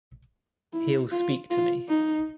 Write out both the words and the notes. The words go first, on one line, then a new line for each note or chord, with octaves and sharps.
He’ll speak to me.
E4
F4
F4
D#4